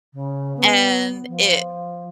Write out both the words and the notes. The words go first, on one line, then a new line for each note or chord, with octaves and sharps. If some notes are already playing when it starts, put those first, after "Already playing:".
and it
C#3
B3
F3